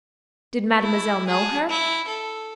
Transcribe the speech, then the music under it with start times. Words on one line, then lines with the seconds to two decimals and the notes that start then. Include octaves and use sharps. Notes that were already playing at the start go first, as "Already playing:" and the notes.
Did mademoiselle know her?
0.80 E4
1.27 G#4 A5
1.70 E4
2.08 A4